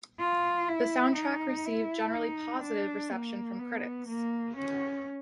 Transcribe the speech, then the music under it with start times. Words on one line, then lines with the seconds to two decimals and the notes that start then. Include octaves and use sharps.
The soundtrack received generally positive reception from critics.
0.20 F4
0.69 E4
1.17 D#4
1.65 E4
2.14 D#4
2.63 D4
3.12 A#3
3.60 B3
4.09 A#3
4.57 C#4